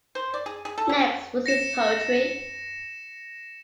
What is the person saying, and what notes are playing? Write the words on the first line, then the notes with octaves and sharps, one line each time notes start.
Next was his poetry.
C5
D5
G#4
G#4
A4
C#4
A#6 C#7 E7